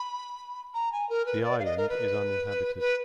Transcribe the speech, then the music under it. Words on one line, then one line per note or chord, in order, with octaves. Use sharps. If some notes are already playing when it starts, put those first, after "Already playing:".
The island is uninhabited.
Already playing: B5
A#5
G#5
A#4
B4
D5
F5
D#5
A#4
B4
B4